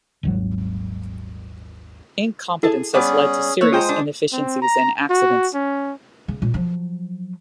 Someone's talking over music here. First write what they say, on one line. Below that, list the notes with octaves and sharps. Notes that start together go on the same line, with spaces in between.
Incompetence has led to serious inefficiencies and accidents.
D#1 G#1 F#3
E4 G#4 A4 A5
G3 B3 C#4 G#4 D5
A#3 C#5 E6 F#6
G#3 F4 C5 G5 A#5 D#6
D4
C4
A#5
F#4
C#4
C#3
A#2
F3 F#3